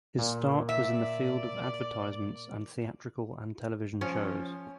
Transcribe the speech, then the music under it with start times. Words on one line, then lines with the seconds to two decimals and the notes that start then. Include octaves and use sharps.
His start was in the field of advertisements and theatrical and television shows.
0.19 A#2
0.69 D5 E5
4.01 F3 C#4